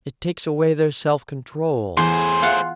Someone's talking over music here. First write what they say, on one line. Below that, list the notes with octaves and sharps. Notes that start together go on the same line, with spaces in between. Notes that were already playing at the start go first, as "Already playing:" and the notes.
It takes away their self-control.
E2 A2 G#4 C5 C6
F4 F5 F#5